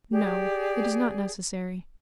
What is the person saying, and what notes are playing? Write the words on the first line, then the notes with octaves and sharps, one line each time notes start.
"No; it is not necessary."
G4 G#4 D5